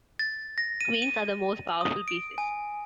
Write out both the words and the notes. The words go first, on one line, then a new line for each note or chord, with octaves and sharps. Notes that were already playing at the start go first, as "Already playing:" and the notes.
Queens are the most powerful pieces.
A6
A#6
D#7
D#7
D#6
D7
G#5